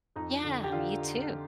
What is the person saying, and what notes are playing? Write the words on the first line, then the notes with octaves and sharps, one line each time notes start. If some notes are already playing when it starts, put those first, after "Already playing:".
Yeah, you too.
F2 D#4
D3
G4
D3 F4
D3
D3